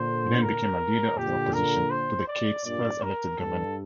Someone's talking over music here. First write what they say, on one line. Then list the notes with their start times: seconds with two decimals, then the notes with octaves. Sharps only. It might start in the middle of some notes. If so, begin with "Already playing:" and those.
He then became a leader of the opposition to the Cape's first elected government.
Already playing: A#2 D3 C5
0.43 A#4
1.17 A#2 D3 G4
1.53 A#4
1.90 C5
2.27 D5
2.65 G2 A#2 D5
3.02 A#4
3.39 G2 A4